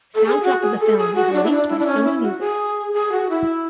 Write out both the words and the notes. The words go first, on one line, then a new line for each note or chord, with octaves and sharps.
Soundtrack of the film is released by Sony Music.
A4
G#4
F#4
G#4
A4
G#4
F#4
D4
E4
D4
E4
D4
C#4
E4
F#4
G#4
G#4
F#4
E4